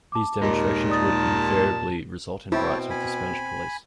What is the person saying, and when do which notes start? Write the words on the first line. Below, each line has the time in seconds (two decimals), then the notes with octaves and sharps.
These demonstrations would invariably result in riots with the Spanish police.
0.12 A5 D6
0.42 D#2 A#2 G#3 D#4
0.89 D5 A5 D#6 A6
2.52 B2 C4 E4 C#5 G5 A5
2.90 G#5 B5